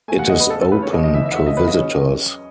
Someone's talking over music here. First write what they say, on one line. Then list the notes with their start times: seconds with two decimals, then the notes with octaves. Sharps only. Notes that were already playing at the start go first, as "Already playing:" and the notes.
It is open to visitors.
0.08 A3 G#5
0.19 F#5
0.29 E2 D#5
0.40 B4
0.50 C#2 A4
0.61 A4
0.72 C#2 B4
0.82 C#5
0.93 D#2 D#5
1.04 D#5
1.14 E3 E5
1.26 E5
1.32 F#5
1.36 C#4 E5
1.46 D#5
1.57 F#3 B4
1.68 D#5
1.78 C#4